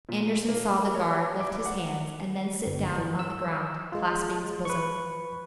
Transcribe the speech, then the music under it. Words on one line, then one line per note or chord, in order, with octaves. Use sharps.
Andersen saw the guard lift his hands and then sit down on the ground clasping his bosom.
A#2
A#3
C#5
D6
F#5
G1
E3
E6
G#3 F4
B4 C#6